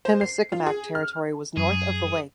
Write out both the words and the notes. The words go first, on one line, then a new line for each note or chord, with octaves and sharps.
Pimicikamak territory was north of the lake.
C5
C7
F4
G#4
F6
F#2 G#4